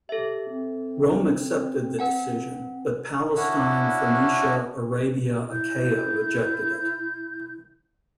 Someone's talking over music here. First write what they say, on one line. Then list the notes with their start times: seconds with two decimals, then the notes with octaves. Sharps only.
Rome accepted the decision, but Palestine, Phoenicia, Arabia, Achaea rejected it.
0.09 G4 A4 E5
0.50 C4
1.99 B4 F#5 G#5
3.36 C#4 D4 E4 F#4
5.49 E4 G6